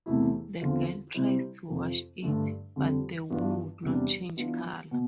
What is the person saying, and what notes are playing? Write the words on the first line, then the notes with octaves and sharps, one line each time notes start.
The girl tries to wash it, but the wool would not change color.
E2 C3 E3 A3 E4
E2 D3 F3 C4 F4
C3 G3 C4 E4
F2 C3 F3
G2 D3 A3 D4
F2 D3 G3
G2 E3 B3 D4 F4
E2 C3 G3 D4
E3 B3 D4 F4
B2